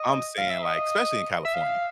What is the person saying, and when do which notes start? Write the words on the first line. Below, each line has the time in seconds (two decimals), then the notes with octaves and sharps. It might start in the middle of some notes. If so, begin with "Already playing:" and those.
I'm saying, like, especially in California,
Already playing: D#5
0.38 F5
0.50 E5
0.62 D#5
1.45 E5
1.54 F5